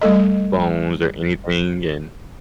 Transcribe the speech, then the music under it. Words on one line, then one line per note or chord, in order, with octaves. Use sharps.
bones or anything and
G3 A3 A4 D#5